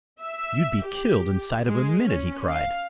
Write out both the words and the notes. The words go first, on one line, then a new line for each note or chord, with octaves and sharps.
"You'd be killed inside of a minute!" he cried.
E5
G4
G#3
C#4
F5